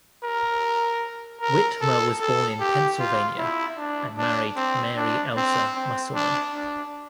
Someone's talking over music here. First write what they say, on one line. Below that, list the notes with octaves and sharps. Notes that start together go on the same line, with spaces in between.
Whitmer was born in Pennsylvania and married Mary Elsa Musselman.
A#4
A#4
A4
A4
G4
F4
E4
D4
D4
C4
D4
C4
C4
D4
D4